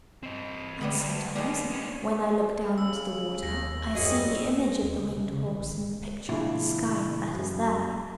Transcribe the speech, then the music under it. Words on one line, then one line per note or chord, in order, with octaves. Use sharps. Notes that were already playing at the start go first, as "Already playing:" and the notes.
And sometimes, when I look down into the water, I see the image of the winged horse in the picture of the sky that is there.
C4 D#5
D2 G3 B3 B5
G3 G#3 A#3 D#4
B3 C#4
C#3 E6
D#2 A#6
F#2 F3 G3 C4 F#4 G#4 D#5
D#2
C#3
C3
C#3
D#3
A1
A#2 C#3 E3 D4 E4 F4
F#2